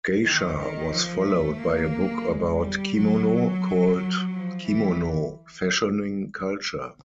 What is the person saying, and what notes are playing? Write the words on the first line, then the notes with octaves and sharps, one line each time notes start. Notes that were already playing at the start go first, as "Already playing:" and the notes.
Geisha was followed by a book about kimono, called "Kimono: Fashioning Culture".
D#3
D#3
F3
A3
A#3
G#3
G3
F#3
F3
E3